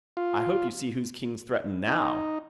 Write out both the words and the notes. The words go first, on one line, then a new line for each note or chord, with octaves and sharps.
"I hope you see whose king's threatened, now."
F4
D#4